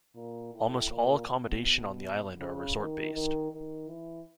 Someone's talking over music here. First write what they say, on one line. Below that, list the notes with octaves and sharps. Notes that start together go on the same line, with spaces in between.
Almost all accommodation on the island are resort-based.
A#2
A2
A#2
B2
C#3
D#3
D#3
D#3
E3